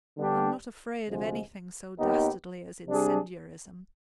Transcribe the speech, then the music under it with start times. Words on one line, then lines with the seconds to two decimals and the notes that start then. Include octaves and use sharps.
'I'm not afraid of anything so dastardly as incendiarism.
0.17 D3 G3 B3 D4 G4
1.07 D2 C3 F3 G#3
1.97 D#2 D#3 B3 D#4 G4
2.87 C3 G3 D4 G#4